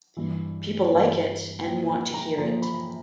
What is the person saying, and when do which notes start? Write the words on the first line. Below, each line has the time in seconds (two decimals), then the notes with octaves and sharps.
People like it and want to hear it.
0.17 G2 E3
0.90 G2 E3
1.64 A#2 F3 G5
1.89 G#5
2.14 A#5
2.38 A#2 F3 A#5
2.62 B5